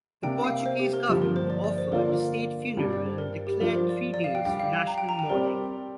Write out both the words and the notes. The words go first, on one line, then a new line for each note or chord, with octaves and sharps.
The Portuguese Government offered a state funeral and declared three days of national mourning.
C3 A#3 D4 G5
F5
C5
G4
A#4
G2 D3 F3 A#3 G4
A#4
C5
D5
D5
C5
D3 A#3 F4 A#4 D5
G2 G3 D4
D5
C5
A#4
A#4
G4
F3 D4 F4 A#4
C5
D5
D5
F5
G5
G3 D4 G4 G5
F5
G5
A#5
G5
A#5
G5
G3 C4 G4 A#4 D5